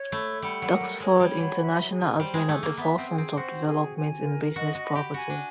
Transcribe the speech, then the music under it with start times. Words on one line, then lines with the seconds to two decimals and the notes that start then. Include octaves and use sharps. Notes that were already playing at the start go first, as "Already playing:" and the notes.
Doxford International has been at the forefront of developments in business property.
Already playing: C#5
0.12 A3 B5
0.42 G3 F#5
0.62 F#3
0.71 A#4
0.81 G3
1.00 G#3 C#5
1.20 G3
1.31 B5
1.41 F#3
1.61 E5
1.89 G#4
2.19 G3 C5
2.34 G#3
2.48 A3 G#4
2.63 A#3
2.78 B3 E5
2.98 C4
3.08 G#4
3.18 C4
3.37 F#4 C5
3.66 G#4
3.96 G#5
4.26 A#4
4.55 F#4 D#5
4.75 F#4
4.85 B5
4.95 G4
5.14 F#4 G#5
5.30 D4